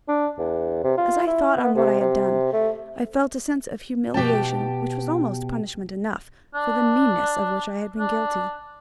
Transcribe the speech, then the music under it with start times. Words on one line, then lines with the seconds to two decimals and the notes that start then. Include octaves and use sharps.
As I thought on what I had done, I felt a sense of humiliation which was almost punishment enough for the meanness of which I had been guilty.
0.08 D4
0.38 E2
0.84 C3
0.97 F4
1.27 E4
1.57 B3
1.76 C3
2.00 C3
2.53 A3
4.14 B2 G4 G5 A5
6.54 D4
7.99 D4